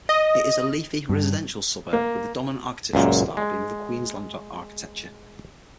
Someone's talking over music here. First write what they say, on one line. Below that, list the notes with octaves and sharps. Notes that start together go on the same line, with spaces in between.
It is a leafy, residential suburb with the dominant architectural style being "Queenslander" architecture.
D#5
G2
A#3
C#2 F#2 A#2
G#3